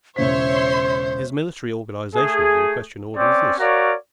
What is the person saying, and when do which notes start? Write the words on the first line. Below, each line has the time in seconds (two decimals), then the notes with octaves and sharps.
His military organization of the equestrian order was this.
0.16 E1 C#3 C5 C#5 E5 C6 B6
2.15 A3 G#4
3.16 C4 C#4 D5
3.59 F#4 A#4 C#5 D5 F5